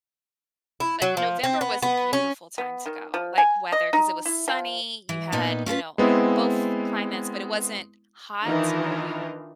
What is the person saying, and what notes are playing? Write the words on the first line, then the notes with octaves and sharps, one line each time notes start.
But November was a beautiful time to go, like, weather, 'cause it was sunny, you had, you know, both climates, but it wasn't hot to where you,
E4
F#3
F3
C4
B3
B3
C#4
B3
D#3
F3
G#5
D#5
D#4
E4
F3
E3
A#2 B3 D#4
C#4 F4 A4 B4
G#3 B3 C4 E4
D#3 E3 D4 D#4 F4